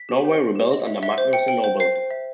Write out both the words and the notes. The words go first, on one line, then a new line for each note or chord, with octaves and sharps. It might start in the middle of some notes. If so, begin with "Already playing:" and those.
Norway rebelled under Magnus the Noble.
Already playing: B6
G4
C5
G4
G4
D#5
E5
E5
C5
G5 C#7
G5
C5
C5 C7
C5
E5